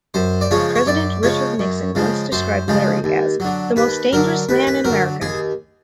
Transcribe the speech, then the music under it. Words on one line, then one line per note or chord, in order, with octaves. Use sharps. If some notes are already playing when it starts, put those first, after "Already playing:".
President Richard Nixon once described Leary as "the most dangerous man in America".
F#2 C5
D5
C#3 F3 G#3 C#5
C#5
F#2 D5
C#3 F3 G#3 C#5
F#2
C#3 F3 G#3
F#2 C5
C#3 F3 G#3
D#2
D3 F#3
D#2 B4
D3 F#3 A#4
D#2 B4
B4
F#3 A#4
D3
D#2 G#4